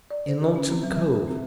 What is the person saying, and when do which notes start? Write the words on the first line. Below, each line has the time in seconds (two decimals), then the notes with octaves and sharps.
"In Lonesome Cove."
0.11 D5
0.28 C5
0.41 G4
0.56 C#4
0.70 C4
0.83 F#3
0.96 E5
1.14 D3
1.28 C4